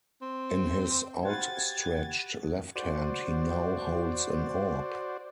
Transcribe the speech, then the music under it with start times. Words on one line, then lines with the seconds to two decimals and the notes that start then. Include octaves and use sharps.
In his outstretched left hand he now holds an orb.
0.22 C4
1.25 F#4 G4 B4 C5 F5 F#5 G#6 A6
2.76 F#4 C5 D5